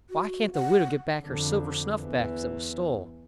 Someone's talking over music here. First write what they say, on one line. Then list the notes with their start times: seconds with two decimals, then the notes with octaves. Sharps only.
Why can't the widow get back her silver snuffbox that was stole?
0.10 F#4
0.53 F#5
1.24 F2 D3
2.00 E2 E3